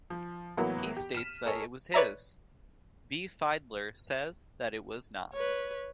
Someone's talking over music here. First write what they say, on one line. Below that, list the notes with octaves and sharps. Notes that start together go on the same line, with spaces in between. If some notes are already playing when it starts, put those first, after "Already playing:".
He states that it was his, Bea Fiedler says that it was not.
F3
A2 E3 F#3 A#3 B3
G4
F6 B6 D#7 E7
A4 A#4 C#5 D#5 G#5
B4 C#5 D5 E5 A#5
B4 C#5